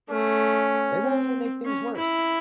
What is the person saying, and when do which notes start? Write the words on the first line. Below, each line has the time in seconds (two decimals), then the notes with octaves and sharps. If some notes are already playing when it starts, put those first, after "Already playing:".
They will only make things worse.
0.10 A3 C#4
1.03 C4
1.66 C#4
1.96 E4